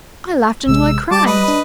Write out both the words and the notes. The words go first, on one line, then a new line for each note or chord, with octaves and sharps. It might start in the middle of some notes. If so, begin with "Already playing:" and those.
I laughed until I cried.
A1 C3 G#3 E6
G3 A5 D6
B4 D#5
D4